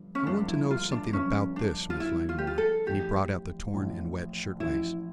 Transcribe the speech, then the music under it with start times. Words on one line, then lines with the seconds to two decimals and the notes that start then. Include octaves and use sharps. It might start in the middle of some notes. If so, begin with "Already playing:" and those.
"I want to know something about this, Miss Langmore," and he brought out the torn and wet shirtwaist.
Already playing: G1 G2 F3
0.15 C#4
0.27 G1 G2 F3 D4
0.48 E4
0.71 F4
0.91 D4
1.13 G1 G2 F3 C#4
1.56 D4
1.90 F4
2.00 G1 G2 F3 E4
2.29 F4
2.38 G4
2.47 F4
2.58 A4
2.87 A1 A2 F3 G4
3.74 A1 A2 F3
4.60 A1 A2 F3 E4